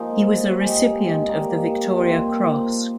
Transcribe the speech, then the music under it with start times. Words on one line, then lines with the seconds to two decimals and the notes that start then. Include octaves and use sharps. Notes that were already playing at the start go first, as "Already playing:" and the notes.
He was a recipient of the Victoria Cross.
Already playing: F3 G#3 A#3 D#4
0.60 G#3 D#4 G4
1.29 G3 A#3 D#4
1.97 A#2 F3 C4